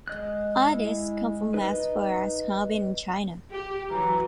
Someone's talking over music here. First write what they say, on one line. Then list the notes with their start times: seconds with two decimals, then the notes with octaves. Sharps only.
Artists come from as far as Harbin in China.
0.08 G#3 D#5 F#6
0.68 E4
1.54 D#4 B4 D#5
3.52 G4
3.91 E3 F#3 A#5